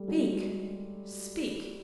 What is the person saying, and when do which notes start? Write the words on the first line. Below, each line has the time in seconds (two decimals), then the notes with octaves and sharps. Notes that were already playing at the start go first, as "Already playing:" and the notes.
Speak, speak!
Already playing: G3 A3
0.08 F#3 G#3